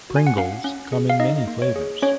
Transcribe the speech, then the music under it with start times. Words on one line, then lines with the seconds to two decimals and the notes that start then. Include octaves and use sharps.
Pringles come in many flavors.
0.10 F#4
0.16 G#5
0.27 F#5
0.37 C#4 F5
0.64 C#4
0.92 G#4
1.10 F5
1.20 D#4 D#5
1.47 A#3
1.62 C#5
1.76 G#4
2.02 C#4 C#5